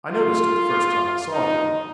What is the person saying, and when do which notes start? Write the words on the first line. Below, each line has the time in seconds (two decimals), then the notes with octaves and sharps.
I noticed it the first time I saw you.
0.11 F4
1.31 D#4